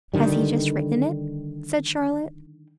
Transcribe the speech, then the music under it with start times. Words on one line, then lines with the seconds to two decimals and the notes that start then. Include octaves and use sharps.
'Has he just written it?' said Charlotte.
0.13 D3 D#3 G3